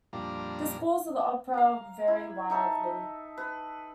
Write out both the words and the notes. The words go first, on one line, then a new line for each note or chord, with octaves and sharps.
The scores of the opera vary wildly.
F2 A#2 G3 D4 F5 A#5
F5 A#5
E4
D#4 A4 E5
B4